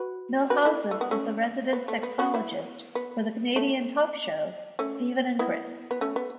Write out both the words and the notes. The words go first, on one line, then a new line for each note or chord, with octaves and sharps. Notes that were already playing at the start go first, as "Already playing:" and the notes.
Milhausen is the resident sexologist for the Canadian talk show "Steven and Chris".
Already playing: F#4 B4
F#4 B4
E4 A4
A3
B3
A3 C#4
B3
A3
B3
C#4 F#4
B3 E4
B3
A3
A3 C#4
B3 E4
B3
A3 C#4
B3